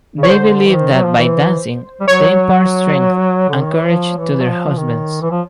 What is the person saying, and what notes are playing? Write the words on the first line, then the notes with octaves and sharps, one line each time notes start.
They believe that by dancing they impart strength and courage to their husbands.
C#3
C#5
D3 C5
E3
D#3
F#3
F3
E3
G3
F#3 C#5
D3
D#3
E3
F3
E3
F#3
F3
D#3
E3
F3